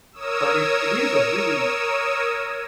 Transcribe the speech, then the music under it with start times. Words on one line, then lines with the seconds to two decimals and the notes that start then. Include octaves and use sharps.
But it's it is a really
0.13 A#4 C#5 D#6 E6